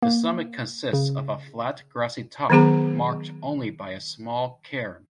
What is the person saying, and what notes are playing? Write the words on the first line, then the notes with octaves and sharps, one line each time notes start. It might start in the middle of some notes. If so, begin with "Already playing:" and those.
The summit consists of a flat grassy top marked only by a small cairn.
A#3
C#3
D#3 F#3 B3 G#4 A#5